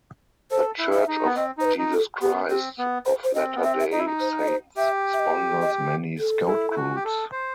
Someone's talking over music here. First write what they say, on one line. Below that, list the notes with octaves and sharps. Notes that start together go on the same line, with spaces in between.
The Church of Jesus Christ of Latter-day Saints sponsors many Scout groups.
A4 C5
E4
E5
D#4
B3
C4 D#5
D#4 C5
B4
D#4
A4
B3 G4
C4 G4
B3
C5
C5
C4 D#5
B3
C4 E5
E5
D#4 D#5
E4
D#4
C5
D#5
C5
G4 E5
E5
D#5
D#5
A4
E4
E4
F#4
G4
A4
C5